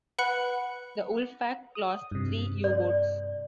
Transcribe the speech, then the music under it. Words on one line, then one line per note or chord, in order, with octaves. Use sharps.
The wolfpack lost three U-boats.
B4 F#5 B5 F#6 C#7
D#6
G2 C3
D5